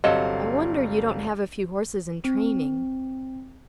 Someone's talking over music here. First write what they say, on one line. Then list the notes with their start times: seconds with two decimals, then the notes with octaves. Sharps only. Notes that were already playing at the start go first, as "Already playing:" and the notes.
"I wonder you don't have a few horses in training."
0.04 G1 C3 F#3 A4 D#5 F5
2.25 C4